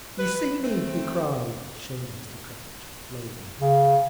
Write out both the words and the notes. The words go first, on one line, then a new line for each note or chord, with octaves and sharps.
"You see me!" he cried, showing his decrepit clothing.
B4
A3 C4
C#3